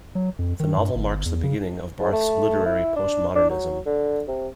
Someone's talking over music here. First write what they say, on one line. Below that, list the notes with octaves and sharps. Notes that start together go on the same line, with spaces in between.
The novel marks the beginning of Barth's literary postmodernism.
F#3
F2
D#3
G2
G1
E2
C#3
G#2
A3
E4
D4
D4
F#3
D3
C3